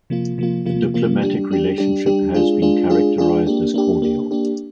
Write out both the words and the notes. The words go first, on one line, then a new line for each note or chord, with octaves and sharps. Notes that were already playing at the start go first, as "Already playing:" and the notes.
The diplomatic relationship has been characterised as cordial.
C3 F3 A#3 F4
C3 F3 A#3 F4
C3 F3 A#3 F4
C3 F3 A#3 F4
G3 D4 G4
G3 D4 G4
G3 D4 G4
G3 D4 G4
G#3 D4 F4 G#4
G#3 D4 F4 G#4
G#3 D4 F4 G#4
G#3 D4 F4 G#4
A#3 D4 G4
A#3 D4 G4
A#3 D4 G4
A#3 D4 G4